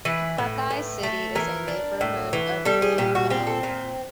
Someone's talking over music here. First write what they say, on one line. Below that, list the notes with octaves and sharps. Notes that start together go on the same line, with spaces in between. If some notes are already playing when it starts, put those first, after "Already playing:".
Buckeye City is a neighborhood of Danville.
E3 B4
A2
A2
A3
E3 A#4
D4
A2
E3
G3 A4
G#4
A#2 G4
F#4
C4 G4
A4
A#2 A#4